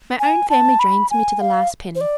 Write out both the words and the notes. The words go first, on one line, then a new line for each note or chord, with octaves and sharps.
My own family drains me to the last penny.
G#5
A5
B5
G#5
F5
C5
D5